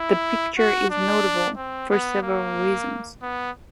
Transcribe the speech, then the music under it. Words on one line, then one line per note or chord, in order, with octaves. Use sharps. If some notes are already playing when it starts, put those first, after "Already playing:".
The picture is notable for several reasons.
Already playing: E4
F#4
D4
C4
B3
A#3
B3